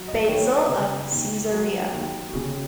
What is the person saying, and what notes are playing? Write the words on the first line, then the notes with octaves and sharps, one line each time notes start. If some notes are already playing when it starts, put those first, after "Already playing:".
Basil of Caesarea.
Already playing: F#3
D#5
D#2 C#5
B4
C#3
D#2
F#3 A4
D#2
F#4
C#3 G#4